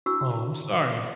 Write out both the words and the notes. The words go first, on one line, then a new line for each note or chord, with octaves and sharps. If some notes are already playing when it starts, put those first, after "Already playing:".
Oh, I'm sorry.
D4 E4 F#4 C#6 E6